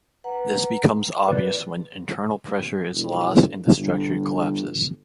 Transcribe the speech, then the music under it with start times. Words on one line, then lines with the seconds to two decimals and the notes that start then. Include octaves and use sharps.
This becomes obvious when internal pressure is lost and the structure collapses.
0.24 B4 F#5 A#5
1.28 B4 D5
2.92 E1
3.75 G1